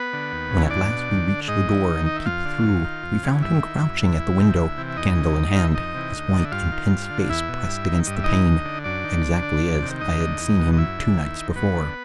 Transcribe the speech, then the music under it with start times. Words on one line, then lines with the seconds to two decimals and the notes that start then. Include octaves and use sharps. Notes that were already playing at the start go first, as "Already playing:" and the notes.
When at last we reached the door and peeped through we found him crouching at the window, candle in hand, his white, intent face pressed against the pane, exactly as I had seen him two nights before.
Already playing: B3 B4
0.13 D3
0.32 D#2
0.51 C#3 E3
0.70 E2 D4 D5
0.90 B2
1.10 D#2
1.29 D3
1.48 G#2 D#4 D#5
1.67 E3
1.87 D#2
2.06 D#3 D#5
2.16 E5
2.25 F2 F4 F5
2.45 D3
2.64 F#2
2.84 D#3
3.03 F2
3.23 C#3 E3
3.42 G2 E4 E5
3.62 D#3
3.81 F#2
4.00 D3
4.20 E2
4.38 C3 D#3
4.58 D2
4.78 C3 E3
4.90 E5
4.97 E2 D#4 D#5
5.17 C#3 E3
5.36 G2
5.55 D#3 F5
5.64 E5
5.75 F2 D#4 D#5
5.94 C3 E3
6.13 D2
6.33 D3
6.45 E5
6.52 G2 F4 F5
6.72 D#3
6.91 G2
7.10 D3
7.22 F5
7.29 E2 E4 E5
7.49 B2
7.68 G2
7.88 D#3
8.07 G2 D#5
8.16 E5
8.24 E3 D#4 D#5
8.46 D2
8.65 D3
8.84 F#2 D4 D5
9.04 D#3
9.23 F2
9.42 D3
9.62 F2
9.82 C3 D#3
10.01 D2 D#4 D#5
10.20 D3
10.40 E2
10.59 B2
10.73 D#5
10.78 F#2 E4 E5
10.98 D3
11.17 D#2
11.37 D#3
11.56 F#2 B3 B4
11.75 D3